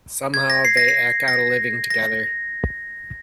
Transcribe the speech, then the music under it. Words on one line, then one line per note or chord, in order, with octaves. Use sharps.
Somehow they eke out a living together.
G#6
A#6
C7
A#6
C7
A#6
A#6